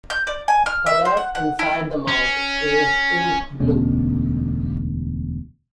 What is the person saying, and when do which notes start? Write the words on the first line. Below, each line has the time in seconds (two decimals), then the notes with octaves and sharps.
Color inside the mouth is ink-blue.
0.10 G6
0.27 D5
0.48 G#5
0.66 F6
0.86 E5
1.05 C5
1.17 F#5
1.35 F#5
1.59 E4
2.08 C#4
3.60 E1 D2 B2 C#4